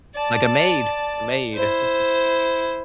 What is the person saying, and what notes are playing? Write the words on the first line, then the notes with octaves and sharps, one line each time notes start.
Like a maid a maid, uh, that's, um
D5 A5
E4 C5